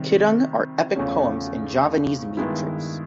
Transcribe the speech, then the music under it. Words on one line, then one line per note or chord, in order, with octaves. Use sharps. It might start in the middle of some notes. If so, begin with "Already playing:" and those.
Kidung are epic poems in Javanese metres.
Already playing: C3 D#3 G3
E2 C#3 F3 A3 C#4
G2 D#3 G#3 B3 E4